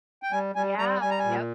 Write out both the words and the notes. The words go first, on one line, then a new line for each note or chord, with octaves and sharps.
Yeah, yep.
G5
G3 G#5
G3 G#5
G3 A#5
G3 G#5
A#5
G#5
A#2